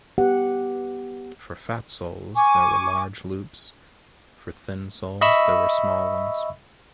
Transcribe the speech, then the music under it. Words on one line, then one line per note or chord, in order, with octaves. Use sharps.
For fat souls there were large loops, for thin souls there were small ones.
B3 G4 F#5
G#5 C#6 D6
D#5 E5 B5 C#6 E6